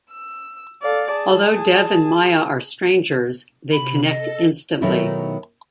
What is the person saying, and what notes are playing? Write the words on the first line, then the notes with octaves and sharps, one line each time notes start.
Although Dev and Maya are strangers, they connect instantly.
E6
A4 D5 F5
G#4 A5
C3 B5
A4 D#5
B2 D#3 F#3 A3 D#4 E4